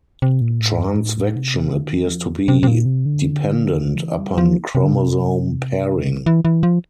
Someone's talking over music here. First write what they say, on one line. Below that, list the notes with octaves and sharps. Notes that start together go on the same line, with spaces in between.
Transvection appears to be dependent upon chromosome pairing.
C3
A#2
A2
G2
A2
C3
D3
E3
G3
F3
C3
C3
A#2
C3
D3
F3
E3
G3
F3
C3
D3
C3
E3
E3
F3